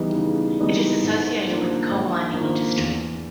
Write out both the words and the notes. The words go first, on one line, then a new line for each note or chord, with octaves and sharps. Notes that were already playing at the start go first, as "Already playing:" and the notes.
It is associated with the coal mining industry.
Already playing: C#3 E3 G3 B3 D#4
C#3
E3 G3 B3 D#4
G#2
F3 A#3 D4
G#2
F3 A#3 D4
E2